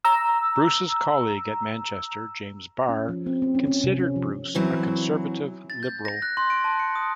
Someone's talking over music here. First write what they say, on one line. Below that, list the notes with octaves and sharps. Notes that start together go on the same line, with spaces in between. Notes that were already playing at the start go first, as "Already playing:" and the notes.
Bruce's colleague at Manchester, James Barr, considered Bruce a conservative liberal.
A#5 E6
C#4
F3
C4
C4
C#4
C#4
C3
C#4
F3
E3 F#3 C4 E4
A6
G6
A#6
F#6
C6
D7
A5
C#7
D#6